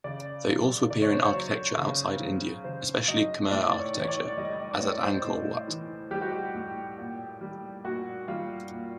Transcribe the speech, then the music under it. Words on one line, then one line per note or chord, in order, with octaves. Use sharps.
They also appear in architecture outside India, especially Khmer architecture, as at Angkor Wat.
C#3 D5
F#3
C#3 D5
C#5
C5
C#5
F#3
C#3
F#3
C#3 C5
F#3 D#5
A2 D5
C#5
E3
C#5
D5
G3 D#5
D5
D5
A2 C#5
C5
A2
E3
G3 G4
F#4
G4
A2
A#2
G3
A#2 F#4
G3 F4
A#2